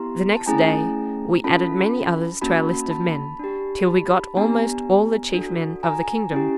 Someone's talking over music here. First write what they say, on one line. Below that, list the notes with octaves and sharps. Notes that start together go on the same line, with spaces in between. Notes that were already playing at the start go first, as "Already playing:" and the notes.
The next day we added many others to our list of men, till we got almost all the chief men of the kingdom.
Already playing: B3 E4 G4 A#5 C6
A5
A3 C#4 E4 G#4 G#5 A#5
C#4 F4 A4 A5 B5
A#3 C#4 F#4 A5 B5
A5 B5
D4 G4
A5 B5
B3 D4 G4 G#5 A#5
D4 F#4 A4
G#5 A#5
C#4 E4 G4